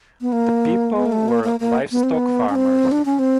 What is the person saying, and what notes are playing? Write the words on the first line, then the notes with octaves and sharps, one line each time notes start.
The people were livestock farmers.
B3
A#3
B3
A#3
A3
A#3
A#3
A#3
B3
C4
B3
C#4
C4
D4
C#4
C4